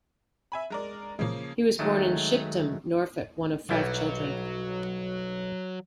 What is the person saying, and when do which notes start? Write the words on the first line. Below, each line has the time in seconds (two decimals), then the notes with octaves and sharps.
He was born in Shipdham, Norfolk, one of five children.
0.52 E5 G#5 B5
0.70 G#3 A#4 D5
1.19 A#2 C#3 E3 F3 G#3 A#3
1.79 D#3 F#3 G#3 A3
3.69 B1 F#3 G3 E4